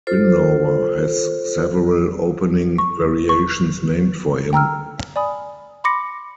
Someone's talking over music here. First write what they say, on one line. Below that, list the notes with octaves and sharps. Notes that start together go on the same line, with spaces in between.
Winawer has several opening variations named for him.
F4 A4 C5
C#6
C#6
G5 A#5 E6 F6
D5 G#5 B5 D#6
B5 C6 D6 A#6 C#7